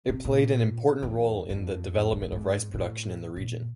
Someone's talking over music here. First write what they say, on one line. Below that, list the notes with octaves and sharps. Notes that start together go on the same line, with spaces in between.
It played an important role in the development of rice production in the region.
C3
A#2
E2
F2
A2
G2
G#2
A2
A#2